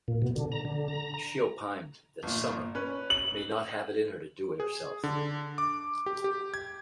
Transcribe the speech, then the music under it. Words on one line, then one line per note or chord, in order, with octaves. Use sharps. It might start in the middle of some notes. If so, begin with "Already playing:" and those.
She opined that Summer may not "have it in her to do it" herself.
A#2
B2
D3
A#5
D3
A#5
A#5
G1 A#2
C#4 B4
F#7
G#4
D3
D6
G4
G4
G#6